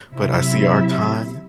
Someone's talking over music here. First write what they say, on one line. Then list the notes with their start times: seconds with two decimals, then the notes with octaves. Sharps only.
but I see our time
0.13 C3 F#3 E4 E5